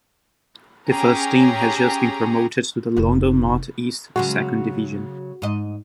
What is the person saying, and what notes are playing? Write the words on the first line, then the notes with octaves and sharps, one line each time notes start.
The First Team has just been promoted to the London North East Second Division.
C#4 G4 G#4 A#5
F1 D#4
C#3 F#3 G#3 F#4
G#2 D#5